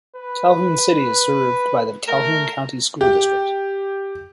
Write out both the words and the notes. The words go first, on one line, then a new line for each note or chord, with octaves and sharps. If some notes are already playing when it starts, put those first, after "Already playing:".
Calhoun City is served by the Calhoun County School District.
B4
A3 A#4
G4